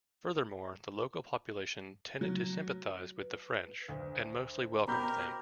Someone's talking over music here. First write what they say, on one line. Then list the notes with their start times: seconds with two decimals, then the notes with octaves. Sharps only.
Furthermore, the local population tended to sympathise with the French, and mostly welcomed them.
2.21 F#3
3.18 B4
3.88 D2 C5
4.88 B2 G4 A#4 A#5 B5 G6